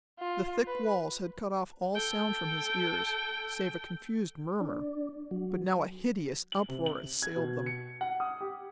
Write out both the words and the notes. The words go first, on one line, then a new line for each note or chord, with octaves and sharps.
The thick walls had cut off all sound from his ears, save a confused murmur, but now a hideous uproar assailed them.
F4
B4
A4 G5
D4
F#3
F#7
C3
F#7
G#6
B2
C#7
F#5
D#6
G4